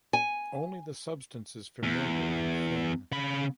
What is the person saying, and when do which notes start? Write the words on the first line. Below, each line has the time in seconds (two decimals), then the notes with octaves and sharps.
Only the substance is familiar and thin.
0.13 G#5
1.83 E2
3.12 C#3 B5